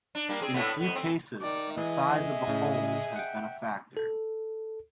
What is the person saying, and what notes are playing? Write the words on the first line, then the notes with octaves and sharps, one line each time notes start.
In a few cases the size of the holes has been a factor.
D4
G3 A#3 D4
C4 G#4
A2 A3 B3
F2 B3
C4
D#3 D5
E3 G#4 D#5 E5
A2 C#3
F#5 G5
A4